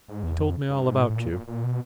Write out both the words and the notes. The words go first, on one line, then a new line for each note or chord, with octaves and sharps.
He told me all about you....
G#2
E2
F2
G2
G#2
A2
A#2
A#2
A#2
B2